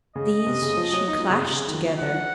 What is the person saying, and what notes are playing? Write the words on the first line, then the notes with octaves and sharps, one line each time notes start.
These she clashed together.
C#3 D#5
C3
C#3
F3
F#3
D#4
F3
C#3
C3
C#3
D#3
F3
F#3 F#5
F3